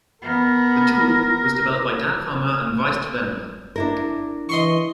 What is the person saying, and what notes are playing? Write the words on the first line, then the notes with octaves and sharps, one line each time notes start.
The tool was developed by Dan Farmer and Wietse Venema.
B3 A#4
D4 E4 A#4
E3 D#5 C6 C#6